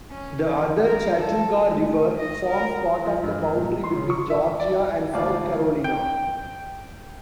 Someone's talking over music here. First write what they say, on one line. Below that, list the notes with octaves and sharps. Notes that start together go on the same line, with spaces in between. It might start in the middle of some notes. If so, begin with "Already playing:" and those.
The other Chattooga River forms part of the boundary between Georgia and South Carolina.
C#4
F3
A#4
A4
A3
D#5
A#4
F3
G2
A#2
C6
C#3
C#6
E5
D5
D2 G#2 F3 D5 F5
G5